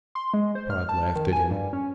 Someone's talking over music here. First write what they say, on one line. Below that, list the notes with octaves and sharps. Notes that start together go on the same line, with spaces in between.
Pod laughed at him.
C6
G#3
C5
F6
A5
D#3
G#5
G2
C#4